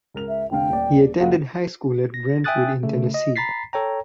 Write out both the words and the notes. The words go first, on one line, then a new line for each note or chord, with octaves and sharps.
He attended high school at Brentwood in Tennessee.
C#2 A#4 F7
E5
F1 D3 F5 G5
D#1 D5
F#1 F5 F#5
A#6
E5 G5 G#5 D#6 F#6 A6
C#3 A3
D#5
A#5 B5 A6 B6 C7
A4 C#5 G5 A#5